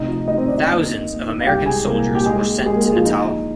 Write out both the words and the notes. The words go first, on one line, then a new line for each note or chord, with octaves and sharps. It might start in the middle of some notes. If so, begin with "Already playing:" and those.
Thousands of American soldiers were sent to Natal.
Already playing: D2 C3 D#4 D#5
F3
D2 D#4 D#5
C4 C5
D3 D4 D5
D#4 D#5
D#2
A#3
D#2
D#3
F5
C2 G4 G5
G#3 G#4 G#5
C2 A#3 A#4
A#2
G4
D#2 G#3 G#4
G#3
G4
D#2 G#3 G#4
A#3 A#4
D3 G#3 G#4
F3 F4
A#3 D#4
F3